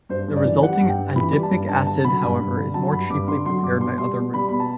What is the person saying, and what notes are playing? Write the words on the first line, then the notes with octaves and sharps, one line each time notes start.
The resulting adipic acid however is more cheaply prepared by other routes.
G2 C5
G2
D5
E3
G3 F#5
G2
G5
G2
E3 B5
G3
A5
G2
G2 A5
D3 A5
F#3 B5
G2
G2
D3
F#3 A5
G2 B5
G2 D6
D3 C6
F#3 C6
G2 D6
B2 C6
G3 C6
B2
G3 B5
B2 B5
A5